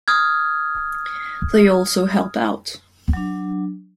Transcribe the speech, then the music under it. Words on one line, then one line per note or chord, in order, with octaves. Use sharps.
They also help out.
D#6 F6 G#6
F#3 D4